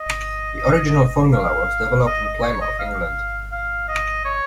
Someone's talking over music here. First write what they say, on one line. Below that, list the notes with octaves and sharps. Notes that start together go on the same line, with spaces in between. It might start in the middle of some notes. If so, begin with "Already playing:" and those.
The original formula was developed in Plymouth, England.
Already playing: D#5
F5
D#5
D#5
C#5
D#5
F5
F5
D#5
C#5